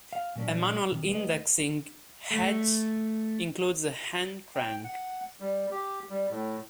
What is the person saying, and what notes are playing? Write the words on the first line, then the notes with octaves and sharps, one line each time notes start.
A manual indexing head includes a hand crank.
F5
A#2 F#3 A#3 C#4 D4
C3 D#3
D2 B4 D#5
A3
G5
F#5
G3
G4
G3
A2